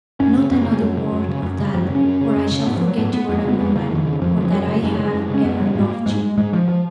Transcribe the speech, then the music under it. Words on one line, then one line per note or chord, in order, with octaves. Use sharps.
"Not another word of that, or I shall forget you are a woman or that I have ever loved you."
F#2 C#4
C#3
F#2 B3
A#3
C#3
G#3
F#2 F#3
C#3
F#2
C#3
F#2
C#3
F#2 F3
F#3
C#3
C#4
F#2
C#3
F#2
C#3
G#2 B3
F3
F#3
G#2 B3
B3
F2 B3
A#3
C#3 B3
F2 B3
C#3 A#3
F2 D#3
C#3
F2 F3
C#3
F3
F#2 F#3
C#3
F#2 G#3
C#3 F#3
G#3
F#2
C#3 C#4
F#2 B3
C#3 F#3
G#3
G#2 A#3
G#2 G#3
G#2 G#3
F3
F3